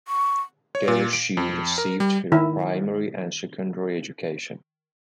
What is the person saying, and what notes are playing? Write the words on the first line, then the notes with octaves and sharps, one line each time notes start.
There she received her primary and secondary education.
C#6
C#5
A#2
D7
F2
A#4
G3
D#3 E4